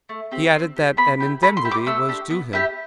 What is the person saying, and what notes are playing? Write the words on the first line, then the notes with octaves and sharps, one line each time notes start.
He added that an indemnity was due him.
A3
C4 G4
C4
G4
B3 B5
E4 G4
A3 B5
C6
E4 G4
D6
A3 E6
D4 G4
B3
E4 G4